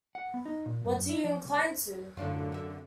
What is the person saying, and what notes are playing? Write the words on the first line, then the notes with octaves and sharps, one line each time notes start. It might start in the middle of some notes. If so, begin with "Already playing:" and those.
What do you incline to?
F#5
B3
D#4
A#2
F#2
F#2
E4
F3
C2
C5
F#2 A2 D3 D4 F4
C3 E5